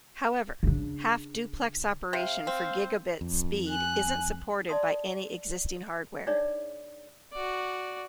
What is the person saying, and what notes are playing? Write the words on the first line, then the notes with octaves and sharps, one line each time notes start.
However, half-duplex operation for gigabit speed isn't supported by any existing hardware.
C#3 D4
C3 F5
C4
F2
G#5 F#6
D5 E5 A5 C6 D#6
D4 D#4 G#4 C#5 D5 E5
F#4 D5